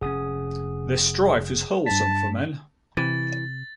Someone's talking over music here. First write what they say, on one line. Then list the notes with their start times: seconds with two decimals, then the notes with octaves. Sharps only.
This Strife is wholesome for men.
0.01 F1 A#2 C#4 G#4 F#5 D#6
1.86 G2 A5 B6
2.97 C3 E3 A6